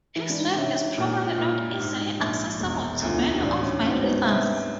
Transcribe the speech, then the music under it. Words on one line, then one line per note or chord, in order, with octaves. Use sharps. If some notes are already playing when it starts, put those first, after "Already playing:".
His work is probably not easily accessible to many of my readers.
E3 E4
D4
D#4
C3 C#4
D#4
A#2 E4
F4
A#2
E4
G#2 D#4
A#1
E1
D2 F4
E4
D#4
A1 D4
C#4
G#2 C#4
C4
B3
C3